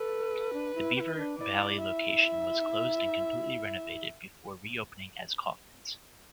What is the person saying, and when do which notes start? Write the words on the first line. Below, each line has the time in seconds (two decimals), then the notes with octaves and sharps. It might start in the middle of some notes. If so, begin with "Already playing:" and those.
The Beaver Valley location was closed and completely renovated before reopening as Kaufmann's.
Already playing: A4 B4
0.53 D4
0.75 E4
0.96 G4
1.00 E4
1.17 D4
1.38 E4 D5
1.81 E5